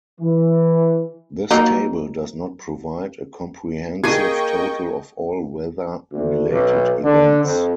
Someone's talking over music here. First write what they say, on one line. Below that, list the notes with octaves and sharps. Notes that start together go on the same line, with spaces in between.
This table does not provide a comprehensive total of all weather-related events.
E3
F#3 A#3 D#4
A#3 G#4 D#5 G5 G#5 C#6 G#6
D2
B1
D3
F2